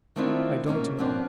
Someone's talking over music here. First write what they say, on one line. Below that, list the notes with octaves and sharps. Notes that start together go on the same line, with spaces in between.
'I don't know.
D#3 A3 C4 D4 E4 F4
B2 A#3 C#4 F4
F3 B3 C4 D4